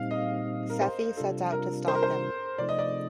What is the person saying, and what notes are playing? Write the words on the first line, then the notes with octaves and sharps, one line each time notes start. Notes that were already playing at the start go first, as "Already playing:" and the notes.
Sephie sets out to stop him.
Already playing: A#2 G3 C4 D#4 F5
D#5
A#4
C5
C3 G3 D4 F4 A4
A#4
C5
A#4
C5
C3 F3 A3 D#4 D5
D#5
D5